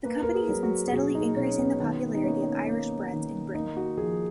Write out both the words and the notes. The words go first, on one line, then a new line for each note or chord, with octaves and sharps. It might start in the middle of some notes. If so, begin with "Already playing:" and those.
The company has been steadily increasing the popularity of Irish breads in Britain.
A#3 B4
A#4
G#4
F#3
F#4
G#4
B2 F#4
D#4
B2 C#4
B3
D#3 B3
D#4
A#3 C#4
A#3
D#3
A#3 D#4
F#4
F3 G#4